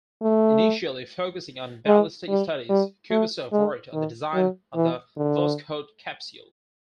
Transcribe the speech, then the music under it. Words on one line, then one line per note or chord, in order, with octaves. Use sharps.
Initially focusing on ballistic studies, Kubasov worked on the design of the Voskhod capsule.
A3
G#3
G3
G3
A3
G#3
D#3
F#3
E3
D3